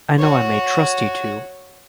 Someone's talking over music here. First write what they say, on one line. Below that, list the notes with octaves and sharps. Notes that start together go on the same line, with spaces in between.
I know I may trust you two.
F#4 C#5